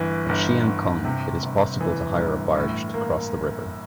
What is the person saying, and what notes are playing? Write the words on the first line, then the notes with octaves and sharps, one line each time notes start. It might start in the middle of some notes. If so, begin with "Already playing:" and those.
At Chiang Khong it is possible to hire a barge to cross the river.
Already playing: G1 E3
G1
G1
C3
G1
E3
G1
A2
A#3